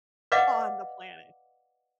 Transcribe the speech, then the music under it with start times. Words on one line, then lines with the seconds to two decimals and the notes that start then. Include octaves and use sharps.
on the planet.
0.32 B4 D5 D#5 F5 F#5 D6